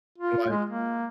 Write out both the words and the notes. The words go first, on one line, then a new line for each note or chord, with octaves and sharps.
and, like,
F4
G#3
A#3